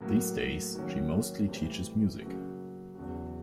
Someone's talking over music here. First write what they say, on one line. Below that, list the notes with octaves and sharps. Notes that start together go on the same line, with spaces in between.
These days, she mostly teaches music.
A2 F#3 A#3
D#3 F#3 A#3 C#4
A2 E3 G3 C4
F#2 C#3 F#3 A#3
E2 C#3 F#3